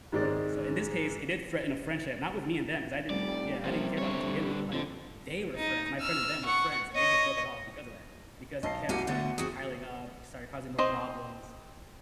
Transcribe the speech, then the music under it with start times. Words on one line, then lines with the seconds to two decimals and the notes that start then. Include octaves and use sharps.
Uh, so, in this case, it did threaten a friendship- not with me and them 'cause I didn't yeah, I didn't care about them to begin with- but, like, they were friends- my friend and them were friends- and they just broke it off because of that because it kept, like, piling up, he started causing more problems,
0.12 G#2 D#3 G#3 C4 D5
3.10 F1 G3 D5
3.65 C3 F3 A#3
3.98 D3 C#5
4.73 F2 D3
5.56 D#4
6.00 E6 F6
6.45 F#5 C#6
6.93 C#5 D#5
8.63 B1 D#5 A5 C7
8.89 C2 A#3 F#4 G4 G#5 C#7
9.07 D3 A3 B3 F#5 A6
9.38 C4 F#4 G#4 C#7
10.79 C4 D#5